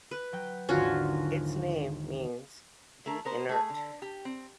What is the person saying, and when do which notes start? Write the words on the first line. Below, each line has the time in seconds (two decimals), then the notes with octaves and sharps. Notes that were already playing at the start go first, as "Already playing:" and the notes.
Its name means "the inert".
0.11 B4
0.33 F#3 G5 G6
0.69 G#1 D#2 D3 C#4 F4 F#4
3.06 A3 G#4 A#4
3.25 B3 A#4 C5
3.49 A3 G#4
3.70 D3
4.02 G4
4.25 C4